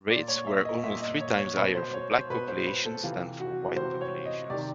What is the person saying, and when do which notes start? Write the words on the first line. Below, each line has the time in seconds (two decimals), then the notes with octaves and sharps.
Rates were almost three times higher for black populations than for white populations.
0.10 A#2 D5
0.28 C#5
0.47 E5
0.65 D#5
0.83 A#2 E5
1.01 D#5
1.20 C#5
1.39 C#5
1.57 B2 B4
1.75 C5
1.94 C#5
2.11 C5
2.30 B2 B4
2.48 C5
2.67 B4
2.85 A4
3.03 C3 E3 F4
3.40 F#4
3.76 C3 E3 C5
4.01 C#5
4.25 D#5
4.50 C3 D5
4.53 D#3